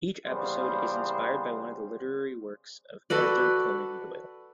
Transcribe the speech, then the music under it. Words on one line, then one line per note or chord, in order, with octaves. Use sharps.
Each episode is inspired by one of the literary works of Arthur Conan Doyle.
E2 C#3 G3 A#3 B3 C5
F#4 A4 B4 D5